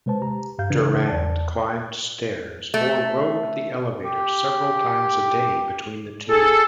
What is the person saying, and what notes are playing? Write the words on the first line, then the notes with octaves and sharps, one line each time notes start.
Durand climbed stairs or rode the elevator several times a day between the two.
C3 G#3 B4 C5 A5
G4 A#5
G2 G4 F5 G6
C#3 E3 D4 B4 G#6
E2 D5 A5
A3
G4
G#4 A4